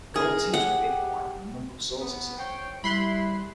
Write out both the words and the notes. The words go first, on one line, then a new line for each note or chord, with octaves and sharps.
Gold seems to have been acquired from a number of sources.
G#4 A#4
G4 F#5
B3
C5 C#5 G5
G3 E4 B5 C6 F#6